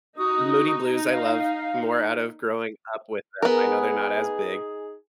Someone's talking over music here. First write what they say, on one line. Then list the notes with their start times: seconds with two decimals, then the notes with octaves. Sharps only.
Moody Blues, I love, more out of growing up with them. I know they're not as big,
0.18 D#4 F#4 D#6
1.11 F5
3.42 B3 D#4 G#4 A#4